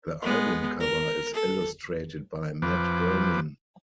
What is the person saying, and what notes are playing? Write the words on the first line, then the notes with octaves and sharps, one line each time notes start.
The album cover is illustrated by Matt Groening.
G#3 B3
A#4
A4
F2 F3 B4 D6